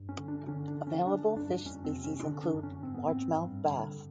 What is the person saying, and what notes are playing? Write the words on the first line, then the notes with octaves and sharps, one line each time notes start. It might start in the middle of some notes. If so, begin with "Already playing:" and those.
Available fish species include Largemouth bass.
Already playing: G2
C#4
D3
D4
D3 C#4
D4
D3
C#4
D3 D4
G2 D4
F2 C#4
C4
C3
C#4
D3 D4
D4
F#2
C#4
G#2 C4
B3
G#2 C4
G2
D3